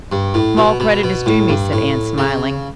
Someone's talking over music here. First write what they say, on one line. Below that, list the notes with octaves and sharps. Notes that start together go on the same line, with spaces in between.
"Small credit is due me," said Anne, smiling.
G2
A2
B2
B2
B2
A2
G2
A2
C#3